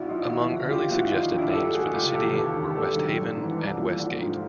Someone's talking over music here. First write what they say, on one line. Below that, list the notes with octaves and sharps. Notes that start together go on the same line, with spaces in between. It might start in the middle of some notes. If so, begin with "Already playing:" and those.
Among early suggested names for the city were West Haven and West Gate.
Already playing: A#1 E4 F#4
A2 F3 D#4 F4
D#2 E4 F#4
D3 F3
A#1 F4 G4
A#2 F3 E4 F#4
D#2 D#4 F4
D#3
D4 E4
A#1 G4 A4
A2 F3 F#4 G#4
C#2 F4 G4
C3 E3 G4 A4
D#2 G4 A4
D#3
G#1 G4 A4
F#2 D#3
G#1
G#2 E3
C2
A#2 F3
G#1
G#2 F3